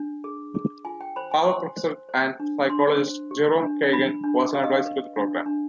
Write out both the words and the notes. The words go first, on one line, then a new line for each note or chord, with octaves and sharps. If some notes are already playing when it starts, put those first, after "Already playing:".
Harvard professor and psychologist Jerome Kagan was an advisor to the program.
Already playing: D4
G#4
G#4
F4 G#5
G5
C5 B5
G#5
C5 C6
C5
C5
D4
D4 C6
C5
G4
D4
D4 B5
D4
G4 F5
D#5
F5
B4
D4
D4